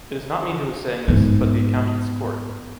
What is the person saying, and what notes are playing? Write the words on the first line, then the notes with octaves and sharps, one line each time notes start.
It is not me who is saying this, but the accountants’ Court.
G#2 B3